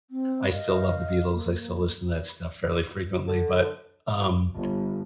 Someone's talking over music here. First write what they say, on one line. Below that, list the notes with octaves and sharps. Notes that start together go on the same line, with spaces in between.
I still love the Beatles, I still listen to that stuff fairly frequently, but, um
C4
D#5 F5
A#3
D3
G1